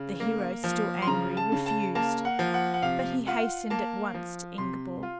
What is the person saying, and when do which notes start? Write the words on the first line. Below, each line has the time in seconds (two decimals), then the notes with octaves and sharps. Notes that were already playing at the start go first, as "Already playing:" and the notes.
The hero, still angry, refused; but he hastened at once to Ingeborg.
Already playing: C#3
0.20 A#3
0.64 F3
1.02 C6
1.07 C#3 A#5
1.37 A5
1.52 C#3
1.66 A5
1.95 A#3 A5
2.25 F#5
2.39 F3
2.54 F#5
2.74 F#5
2.82 C3 F5
3.27 F4 F#5
3.70 A#3 A5
4.14 F3
4.58 C3 C6
5.03 F4